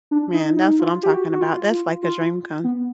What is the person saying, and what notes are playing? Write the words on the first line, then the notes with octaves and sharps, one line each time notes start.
Man, that's what I'm talking about, that's like a dream come
D4
D#4
D#4
F4
G4
F#4
F#4
F4
F4
F4
B3